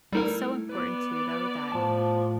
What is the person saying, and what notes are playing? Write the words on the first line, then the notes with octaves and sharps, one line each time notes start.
it's so important too, though, that
G3 A3 D#4 E4 A#4
B3 B4 D5
A2 F3 A5